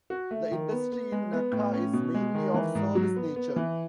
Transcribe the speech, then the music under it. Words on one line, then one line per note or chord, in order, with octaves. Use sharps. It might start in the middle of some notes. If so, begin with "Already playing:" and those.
The industry in Nacka is mainly of service nature.
F#4
A3
D#3
B3
B3
G#3
B3
A2
C#4
B2
G#3
D#3
E3
G#2
F#3
B3
B3
E3